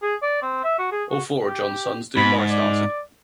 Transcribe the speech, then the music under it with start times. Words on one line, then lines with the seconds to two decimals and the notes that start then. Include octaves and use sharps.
All four of John's sons do morris dancing.
0.03 G#4
0.22 D5
0.42 C4
0.64 E5
0.79 F#4
0.91 G#4
1.10 F#4
1.46 G4
2.17 G#2 B5
2.50 D5